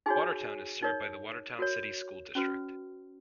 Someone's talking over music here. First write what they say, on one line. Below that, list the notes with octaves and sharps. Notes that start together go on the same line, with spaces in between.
Watertown is served by the Watertown City School District.
D#4 F#4 G#4 C#5 G#5
D#4 A#4 C#5
F#4 A#4 C#5
C#4 F#4 B4